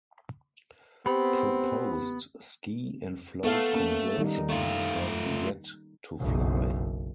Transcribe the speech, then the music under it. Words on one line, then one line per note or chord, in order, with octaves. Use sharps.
Proposed ski and float conversions have yet to fly.
B3 C4 G4 B5
A3 B3 A4 F5
A#3 C#4
D#3 G3 D#4
A3 F4
F#1 B1